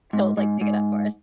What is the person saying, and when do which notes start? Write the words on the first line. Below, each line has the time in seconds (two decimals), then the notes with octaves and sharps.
he'll, like, pick it up for us.
0.13 G#2
0.37 G#2
0.61 G#2